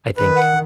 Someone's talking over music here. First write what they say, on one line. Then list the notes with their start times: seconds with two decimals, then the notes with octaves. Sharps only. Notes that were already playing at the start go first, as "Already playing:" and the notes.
I think
0.17 D#3 B4
0.36 F#5